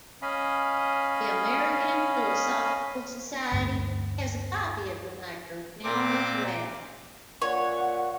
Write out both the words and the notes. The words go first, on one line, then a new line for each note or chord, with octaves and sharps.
The American Philosophical Society has a copy of the microfilm as well.
C#4 D#5 F5 B5
D2 G2 A3
A#2 C4 D6
A#2 C#5 F#5